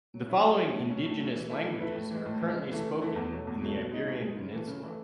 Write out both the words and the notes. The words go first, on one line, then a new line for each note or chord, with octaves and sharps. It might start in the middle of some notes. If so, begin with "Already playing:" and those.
The following indigenous languages are currently spoken in the Iberian Peninsula.
F#3
C#4 E4
F#3
C#4 E4
A2
F#3 C#4
A2
F#3 C#4
E3
A3 E4 B4
E3
A3 E4 B4
A2
E3 G#3
A2
E3 G#3
C#3
E3 A3 E4
C#3
E3 A3 E4
E2
B2 F#3 A3
E2
B2 F#3 A3
B2
G#3 D#4
B2
G#3 D#4
C#3
E3 A3
C#3
E3 A3